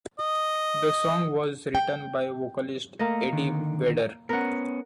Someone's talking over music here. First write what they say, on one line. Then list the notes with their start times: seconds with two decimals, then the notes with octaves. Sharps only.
The song was written by vocalist Eddie Vedder.
0.19 D#5
1.75 G5
2.99 A3 A#3 D#5
3.33 D3 D#3
4.29 B3 C#4 A#4 F#5